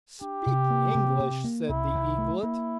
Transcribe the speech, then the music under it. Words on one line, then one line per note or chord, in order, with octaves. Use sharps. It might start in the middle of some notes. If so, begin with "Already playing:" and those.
'Speak English!' said the Eaglet.
D4 G4
C3
A#3
C3
C3
A#3
C2 E4
C2
A3
A#3 E4